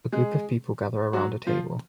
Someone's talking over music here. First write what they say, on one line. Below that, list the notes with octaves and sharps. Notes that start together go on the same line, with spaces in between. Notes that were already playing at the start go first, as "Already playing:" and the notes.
A group of people gather around a table.
G#3 G#4
F#3 F#4
F3 F4